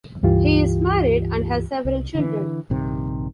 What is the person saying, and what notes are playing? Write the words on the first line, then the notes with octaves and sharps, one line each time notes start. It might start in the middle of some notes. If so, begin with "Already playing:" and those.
He is married and has several children.
C#2 G2 E3 F4 G4
C2
D3 E3
A#1 G2 C3 D#3